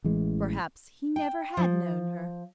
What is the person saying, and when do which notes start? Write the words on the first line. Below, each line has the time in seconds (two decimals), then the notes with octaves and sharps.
Perhaps he never had known her.
0.04 A1 E3 G#3
1.16 G5
1.57 F3